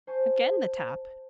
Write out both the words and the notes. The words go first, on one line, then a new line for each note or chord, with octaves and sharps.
Again the tap!
C5 G#5 A5 C#6 G6 C7